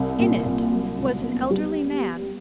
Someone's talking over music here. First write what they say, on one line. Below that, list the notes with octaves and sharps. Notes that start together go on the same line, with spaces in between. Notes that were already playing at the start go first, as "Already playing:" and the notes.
In it was an elderly man.
Already playing: C2
A#2
C2
F#3
C#2
B3
G3